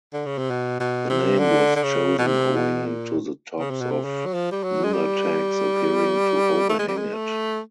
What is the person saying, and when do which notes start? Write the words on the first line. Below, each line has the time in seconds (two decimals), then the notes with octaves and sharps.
The name was chosen owing to the tops of nunataks appearing to overhang it.
0.13 D3
0.26 C#3
0.38 C3
0.50 B2
0.80 B2
1.09 C3
1.39 D3
1.76 D3
1.83 C#3
2.18 B2
2.27 C3
2.56 B2
2.86 A#2
3.59 C#3
3.70 C3
3.81 B2
3.91 C3
4.04 C#3
4.25 F#3
4.33 F3
4.51 G3
4.63 F#3
4.84 G#3
4.92 G3
6.69 A3
6.79 G#3
6.88 G3
6.97 G#3
7.13 A3